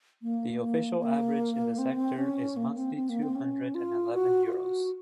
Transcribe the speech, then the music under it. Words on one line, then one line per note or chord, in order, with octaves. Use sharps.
The official average in the sector is monthly two hundred and eleven Euros.
A#3
A#3
A#3
C4
C#4
A#3
C4
C4
A#3
C4
C#4
F4
F#4
F4
F#4